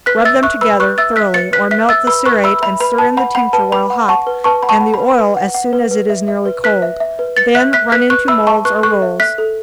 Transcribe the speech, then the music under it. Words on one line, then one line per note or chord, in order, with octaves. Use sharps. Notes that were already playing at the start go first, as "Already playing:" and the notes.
Rub them together thoroughly, or melt the cerate and stir in the tincture while hot, and the oil as soon as it is nearly cold, then run into molds or rolls.
B4 F#6 B6
E5 E6 A6
E5 C#6 F#6
B4 B5 E6
B4 C#6 F#6
E5 E6 A6
E5 F#6 B6
B4 A6 C#7
B4 F#6 B6
E5 F#6 B6
E5 E6 A6
B4 B5 E6
B4 C#6 F#6
E5 B5 E6
E5 B5
B4 B5
B4 A5
F#5 B5
F#5 B5
B4 A5
B4 B5
F#5
F#5 A5 C#6
B4
B4 A5 C#6
F#5 B5
A5 C#6
F#5
B5
B4
B4
F#5
F#5
B4
B4
E5
E5
B4
B4 F#6 B6
E5
E5
B4
B4 A6 C#7
E5 F#6 B6
E5 F#6 B6
B4 F#6 B6
B4 C#6 F#6
E5 B5 E6
E5 A5 C#6
B4 C#6 F#6
A4 C#6 F#6
E5
E5 F#6 B6
A4